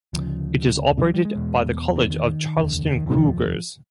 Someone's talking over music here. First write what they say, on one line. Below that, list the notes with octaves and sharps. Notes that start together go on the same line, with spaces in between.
It is operated by the College of Charleston Cougars.
D2 C#3 F3
F#3
G3
G#3
E1 E2 B2
E3
D#3
F1 D#2 D3
D3
D#3
E3
F3